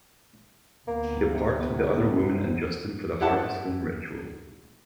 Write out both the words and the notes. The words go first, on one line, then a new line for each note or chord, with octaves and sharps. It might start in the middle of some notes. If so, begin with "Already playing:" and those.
She departs with the other women and Justin for the Harvest Home ritual.
D2 A#3 B3
C3
E4 G4 F#5 A5